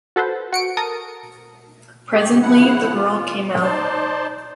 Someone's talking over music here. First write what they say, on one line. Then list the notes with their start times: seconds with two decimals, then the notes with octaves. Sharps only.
Presently the girl came out.
0.16 F#4 A4 B4 C5
0.52 F#4 C#7 D7
0.77 A4 A#4 D#6
2.12 A3 G4
2.42 C#3 F3 E4 F#5 F#6
2.94 E3 F4
3.62 D#4 C5 D5 A5 C6